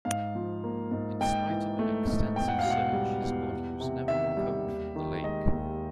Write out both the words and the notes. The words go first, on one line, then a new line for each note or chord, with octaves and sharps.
In spite of an extensive search, his body was never recovered from the lake.
G#2 F5
F3
A#3
G#2
G#2 G5
E3
A3
G#2
E2 G5
F#5
F5
B2
F#5
G3
E2
E2
C3
D#3 E5
G3
D#2
D#3
G#3 D#5
D#2